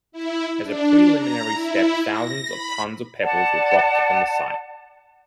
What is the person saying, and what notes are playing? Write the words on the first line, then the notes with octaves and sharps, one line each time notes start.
As a preliminary step, thousands of tons of pebbles were dropped on the site.
E4
D4
A#5
E4
A#6
B5
D5 F#5 A5